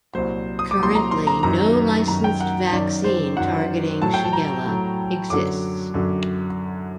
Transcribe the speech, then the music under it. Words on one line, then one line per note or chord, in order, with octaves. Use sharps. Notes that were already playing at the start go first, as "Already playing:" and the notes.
Currently, no licensed vaccine targeting "Shigella" exists.
C2 A#2 F#3 C5
D#6
D6
C2 A#2 F#3 C6
A#5
C6
A#5
F#2 D#3 F#3 A#5
F#2 D#3 F#3 A#5
G5
F#5
F#2 D#3 F#3 D5
C5
F#2 D#3 F#3 F#5
A2 F#3 A5
G5
A5
A#5
A2 F#3
F#2 D3 F#3 D6
F#2 D3 F#3